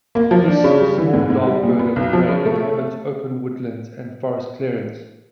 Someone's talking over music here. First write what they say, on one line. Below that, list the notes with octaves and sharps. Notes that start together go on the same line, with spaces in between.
This small dark bird of prey inhabits open woodlands and forest clearings.
A#3
F3
D4
C#3
G3
E3
G#2
G#2
G3
A#2
B3
B1
F3
C#3
A3